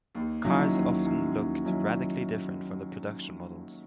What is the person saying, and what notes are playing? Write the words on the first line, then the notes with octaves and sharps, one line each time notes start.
Cars often looked radically different from the production models.
D#2
D#3 F#3 C#4 E4
D#2
D#3 F#3 C#4 E4
D#2
D#3 F#3 C#4 E4